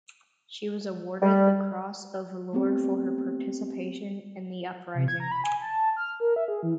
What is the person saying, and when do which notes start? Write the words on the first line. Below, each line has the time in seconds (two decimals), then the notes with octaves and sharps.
She was awarded the Cross of Valour for her participation in the Uprising.
1.22 G3
2.53 A3 B3 C4 G4
4.94 C3
5.08 G#6
5.20 A#5
5.32 B5
5.44 G#5
5.62 A5
5.97 F6
6.20 A#4
6.36 E5
6.48 G#4
6.63 E3